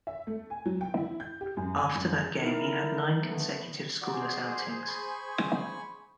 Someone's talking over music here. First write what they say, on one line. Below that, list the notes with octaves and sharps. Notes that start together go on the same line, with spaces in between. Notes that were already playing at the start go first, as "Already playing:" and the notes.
After that game, he had nine consecutive scoreless outings.
E5
A3
G#5
F#3
G5
E4
G6
G4
F#2
G#5
F#2
G#4
D#4 E4 A#4
A3 B3
F#4 G#4 C5 D5
G#5 B5 C#6